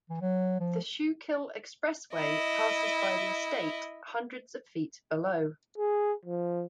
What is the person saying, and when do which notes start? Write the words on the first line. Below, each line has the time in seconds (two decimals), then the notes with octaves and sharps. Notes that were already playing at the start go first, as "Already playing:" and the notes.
The Schuylkill Expressway passes by the estate, hundreds of feet below.
0.10 E3
0.21 F#3
0.60 F3
2.14 E4 D#5
5.78 G#4
6.26 F3